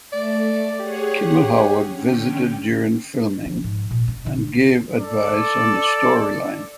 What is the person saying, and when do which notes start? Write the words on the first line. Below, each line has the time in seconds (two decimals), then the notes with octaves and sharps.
Keble Howard visited during filming and gave advice on the storyline.
0.12 A3 D5
0.80 G4 G#4 C#5 F#5
1.94 D3 C#4 G5
3.46 F3
3.64 G#2
3.91 A#2
4.08 C#4
4.26 D3
4.99 A4 D5